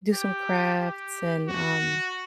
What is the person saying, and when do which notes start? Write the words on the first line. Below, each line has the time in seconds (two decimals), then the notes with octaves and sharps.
do some crafts and, um,
0.13 G4
0.80 G4
1.48 F#4